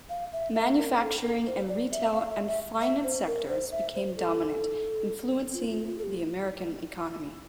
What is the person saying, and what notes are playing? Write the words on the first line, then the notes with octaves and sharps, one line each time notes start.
Manufacturing and retail and finance sectors became dominant, influencing the American economy.
F5
E5
E5
A#4
A4
A#4
C5
D5
E5
F5
E5
E5
E5
C5
A#4
C5
E5
C5
A4
F4
F4
F4
A4
G4